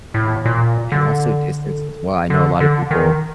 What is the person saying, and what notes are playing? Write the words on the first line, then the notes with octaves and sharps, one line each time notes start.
Um, and also distance as well. I know a lot of people,
A2
A#2
D3
D3
D3
D#3